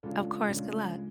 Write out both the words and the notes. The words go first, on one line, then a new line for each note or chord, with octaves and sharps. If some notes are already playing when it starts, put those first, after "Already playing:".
Of course, good luck.
C#3 G#3 D4 F4 A4
C#3 G#3 D4 F4 A4
G#3